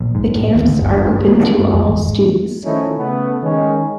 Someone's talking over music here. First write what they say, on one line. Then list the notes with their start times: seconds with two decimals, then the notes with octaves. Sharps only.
The camps are open to all students.
0.01 A#1
0.15 G#2
0.36 A2
0.55 D#2
0.68 D2
0.80 G1
0.93 G2
1.07 G2
1.28 A#3
1.58 G2
1.74 F2
1.88 G#1
2.64 D#3 F3 A3 C#4 D#4 E4
2.97 C#3 A3 B3
3.43 D#3 G#3 C#4